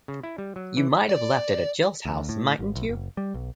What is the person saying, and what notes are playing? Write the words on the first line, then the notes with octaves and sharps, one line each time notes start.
You might've left it at Jill's house, mightn't you?
C#3
E4
G3
F#3
E3
D5
D2
A2
G#1
B1
F#1
G3
B1